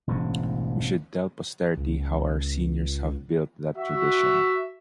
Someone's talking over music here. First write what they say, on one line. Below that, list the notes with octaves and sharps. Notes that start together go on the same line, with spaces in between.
We should tell posterity how our seniors have built that tradition.
E1 A1 G#2 C#3
C#2
F#4 E5